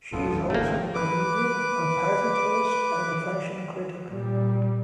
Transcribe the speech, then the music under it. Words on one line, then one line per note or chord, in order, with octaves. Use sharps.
She is also a comedian, a pageant host and a fashion critic.
E1 A1 F#2 B3 F4 A4
G#1 C#3 F3 A3 A#3 G5
B4 D6
A#2 G3